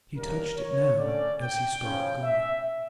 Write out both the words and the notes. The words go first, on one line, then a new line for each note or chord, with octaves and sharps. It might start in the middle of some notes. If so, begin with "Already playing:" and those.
He touched it now as he spoke of going.
A2 G3 A#3 D4 A#4
C#5
D3 A3 C#4 D5
G5
C#3 F3 C#4
E5